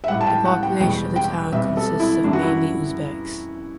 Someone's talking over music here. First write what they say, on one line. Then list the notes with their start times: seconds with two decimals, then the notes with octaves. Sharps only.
The population of the town consists of mainly Uzbeks.
0.04 E5
0.08 A2 G3 F#5
0.21 A5
0.27 G5
0.45 F#5
0.63 G5
0.80 E2 B2 G3 G5
1.16 G5
1.52 C2 B2 G3 E5
1.77 A4
2.00 E4
2.24 F#2 E3 G3 D4
2.33 F#4
2.42 E4